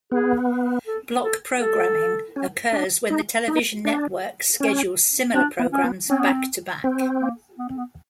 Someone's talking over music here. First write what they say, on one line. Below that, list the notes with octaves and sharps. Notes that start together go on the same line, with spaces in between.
Block programming occurs when the television network schedules similar programs back-to-back.
B3 G#4
A4
A4
A4
C#4
D4
D#4
D#4
D4
C#4
C4 D4
B3
C#4
B3
C4 C#4
B3
C4
C4
A#3
B3
C4
B3